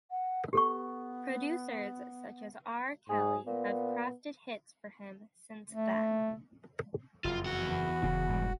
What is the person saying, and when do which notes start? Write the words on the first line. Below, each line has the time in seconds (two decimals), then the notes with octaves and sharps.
Producers such as R. Kelly have crafted hits for him since then.
0.10 F#5
0.53 B3 G4 A4 C#6
3.10 G#2 G#4
3.46 A#2 B3
5.70 A3
7.24 F#1 F2 F4
7.46 E2 F#4 F#5
8.03 F1 C#3
8.29 G#2 B2 G3